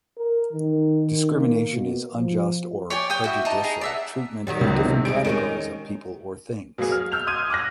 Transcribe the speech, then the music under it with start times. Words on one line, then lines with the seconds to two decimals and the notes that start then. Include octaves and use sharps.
Discrimination is unjust or prejudicial treatment of different categories of people or things.
0.18 A#4
0.53 D#3
1.07 D#3
1.39 A#3
1.71 B2
2.15 F3
2.90 C#5 D5 G5 G#5
3.10 G5 D#6
3.24 E4 F#4
3.45 D#4 A5
3.64 G#4 A#5
3.81 D5 E5 F#5
4.47 D#3 F#3 G3
4.61 C#2
4.85 C3
5.05 G3 G#3 D7
5.25 D#3 G#3 C#4
6.78 B2 F#3 A#3 G#4
6.92 F6
7.12 E6 F6 G6 F7
7.27 C6 D#6 G6 G#6 D#7
7.50 D6 F6 F#6 A#6